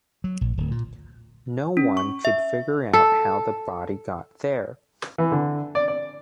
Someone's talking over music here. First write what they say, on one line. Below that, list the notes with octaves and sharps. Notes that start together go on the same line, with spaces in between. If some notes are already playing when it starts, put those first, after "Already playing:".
No one could figure out how the body got there.
F#3
A#1
D1
A#2
C#4
C#6
E5
A4
E3
D3
D5
D5